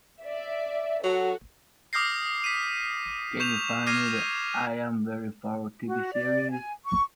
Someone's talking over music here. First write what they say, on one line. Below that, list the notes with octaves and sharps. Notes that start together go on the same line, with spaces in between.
Can you find me the I Am Very Far TV series?
D5 E5
F#3 F#4 A4
D6 D#6 F6 G6 A#6 C7
B6 D#7
C#6 G6 E7 F7
D6 F6 G#6 A#6 C7 D#7
F#4
D5
G#5
C#6